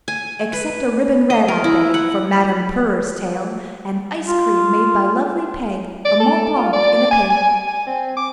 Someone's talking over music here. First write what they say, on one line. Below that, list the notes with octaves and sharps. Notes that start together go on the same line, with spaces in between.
Accept a ribbon red, I beg, For Madam Purrer's tail, And ice cream made by lovely Peg, A Mont Blanc in a pail.
G#5
B4
D#5
A#4
E4
F#5
F4
D5
A4
F4
D5
G#5
G#5
G#5
C4
D6